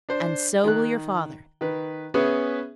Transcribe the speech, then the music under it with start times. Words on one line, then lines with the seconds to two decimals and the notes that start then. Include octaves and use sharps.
"And so will your father."
0.09 D4 C5
0.64 D#3 F#6
1.61 D#3 B4
2.14 B3 C#4 G#4 B4 E5